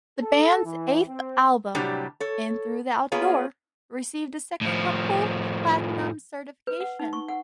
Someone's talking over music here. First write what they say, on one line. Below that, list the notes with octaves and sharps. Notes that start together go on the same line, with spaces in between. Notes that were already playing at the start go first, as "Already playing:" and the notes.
The band's eighth album, "In Through the Out Door", received a sextuple platinum certification.
A4
E3
C4
A2 C3 F#3 G3 D4 G4
A4 C#5
A#3 B3 F4 G#4 C#5
A2 F3
B4
F#5
D#4
C#6
F#5